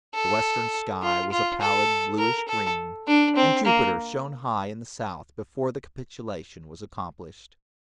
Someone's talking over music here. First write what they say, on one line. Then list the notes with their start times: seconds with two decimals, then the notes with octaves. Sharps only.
The western sky was a pallid bluish green, and Jupiter shone high in the south, before the capitulation was accomplished.
0.14 A4
1.03 F4
1.32 F4
1.61 A4
2.18 A#4
2.48 A4
3.07 D4
3.36 C4
3.65 A#3